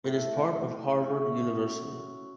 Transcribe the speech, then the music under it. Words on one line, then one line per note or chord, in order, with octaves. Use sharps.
It is part of Harvard University.
A2
C#4 F#4 E5